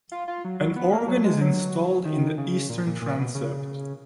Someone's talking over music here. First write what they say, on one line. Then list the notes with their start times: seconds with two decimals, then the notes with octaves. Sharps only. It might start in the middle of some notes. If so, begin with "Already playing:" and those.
An organ is installed in the eastern transept.
0.12 F4
0.28 F4
0.45 F#3
0.61 F#3
0.76 B3
0.92 A#3
1.08 F#3
1.25 G#3
1.41 F#3
2.05 D#3
2.38 C#3
2.69 A#2
2.87 A#2
3.02 A#2
3.18 B2
3.35 C#3